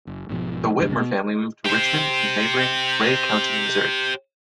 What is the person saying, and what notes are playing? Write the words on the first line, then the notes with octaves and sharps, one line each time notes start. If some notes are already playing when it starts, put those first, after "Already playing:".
The Whitmer family moved to Richmond in neighboring Ray County, Missouri.
F#1
B1 G#2 B2 F3
E1 C#2 G2 D4
B2 B3
G4 C5